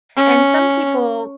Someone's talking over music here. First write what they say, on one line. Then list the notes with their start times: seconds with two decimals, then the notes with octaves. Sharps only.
And some people
0.17 C#4